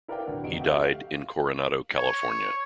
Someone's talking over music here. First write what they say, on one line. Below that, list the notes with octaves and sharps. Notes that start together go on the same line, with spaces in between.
He died in Coronado, California.
E4 A#4 B4 D5 F5 G5
D1 D3 F#4
F2 C3 D#5 D7
F#4 G4 A4 E5 F5
C#5